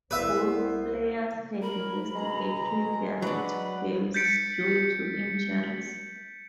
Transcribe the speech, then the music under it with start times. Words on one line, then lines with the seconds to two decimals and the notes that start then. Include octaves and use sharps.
Both players had missed the previous two games due to injuries.
0.11 C2 B3 B4 C5 E5
1.62 A#4 B5
2.15 B2 F#3 G#3 A#5
3.22 F#3 D4 B4 F#5 B5
4.14 G6 A6 B6 C#7 D7